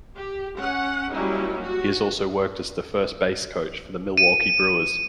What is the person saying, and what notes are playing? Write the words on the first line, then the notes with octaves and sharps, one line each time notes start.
He has also worked as the first base coach for the Milwaukee Brewers.
G4
C#4 F#5
F#3 G3 A#3 C#4 D#4 E4
F#4
D#7